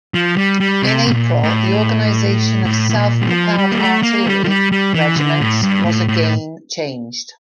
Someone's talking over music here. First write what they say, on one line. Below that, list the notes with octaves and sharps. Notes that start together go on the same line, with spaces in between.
In April, the organization of self-propelled artillery regiments was again changed.
F3
G3
G3
C3
A2
A#2
A2
A2
A2
A#2
G3
F3
G3
A#3
A3
A#3
G3
F3
G3
G3
E3
D3
A2
G2
A2
A2